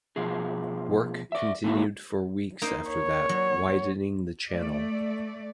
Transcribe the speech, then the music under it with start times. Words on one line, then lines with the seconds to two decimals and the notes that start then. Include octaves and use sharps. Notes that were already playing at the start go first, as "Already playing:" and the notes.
Work continued for weeks after that, widening the channel.
0.16 B2 F3 G#4
1.32 D5 E5
1.64 A#2 D#3 A3 A#3 E4 F#4
2.62 A#3 D#4 C5
2.90 C#5
3.29 F#3
4.51 A3 D5